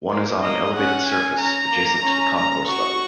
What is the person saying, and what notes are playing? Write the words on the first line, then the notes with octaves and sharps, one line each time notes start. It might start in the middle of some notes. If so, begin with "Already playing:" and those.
One is on an elevated surface, adjacent to the concourse level.
A#3
A#3 D#5
C#4 F#5
G#5
C#4 A#5
A#3
C#4
A#5
F#4 C#6